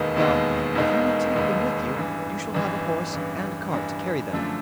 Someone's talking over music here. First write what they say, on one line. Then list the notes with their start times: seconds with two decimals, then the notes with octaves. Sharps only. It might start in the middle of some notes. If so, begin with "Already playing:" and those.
Now, if you will take them with you, you shall have a horse and cart to carry them.
Already playing: E1 D#2 D#3 G#3 B3
0.16 E1 D#2 D#3 G#3 B3
0.75 E1 D#2 D#3 G#3 B3
1.35 E1 D#2 D#3 G#3 B3
1.94 A1 G2 E3
2.54 A1 G2 E3
3.13 A1 G2 E3
3.72 A1 G2 E3
4.33 F#2 D3 F3 A3 D4